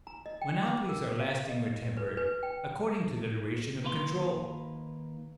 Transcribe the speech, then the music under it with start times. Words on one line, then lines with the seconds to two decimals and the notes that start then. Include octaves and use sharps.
Monopolies are lasting or temporary, according to the duration of control.
0.07 A#5
0.26 D#5
0.42 G5
0.63 D6
0.89 A#4
1.20 F5
1.49 D#5
1.97 B4
2.17 B4
2.43 G5
3.84 D#3 A#3 B4 F5 A#5 C6